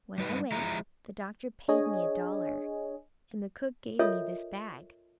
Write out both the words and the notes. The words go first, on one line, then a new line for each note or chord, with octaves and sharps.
"When I went, the doctor paid me a dollar, and the cook gave me this bag."
G3 D#4 B4
F3 G#3 E4 A#5
D4 G#4 C#5 D#5 G#5
F4 A4 A#4 C#5 D#5 E5